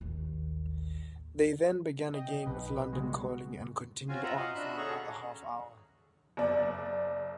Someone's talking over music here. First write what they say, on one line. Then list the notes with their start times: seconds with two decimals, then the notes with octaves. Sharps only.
They then began again with "London Calling" and continued on for another half-hour.
0.01 A1 D#2
2.14 D#5 G5
2.46 B1 B2 B4
2.92 C#3 G3 G#3 B3 F#4
4.08 C4 C#4 F4 F#4 F5 G#5
4.23 F4 E5 F#5 A#5
4.36 D#5 F5
4.55 D4 F#4 E5 B5 F#6
4.77 C#4 G#4 A4 F#5 A#5 C#6
6.37 F#1 D5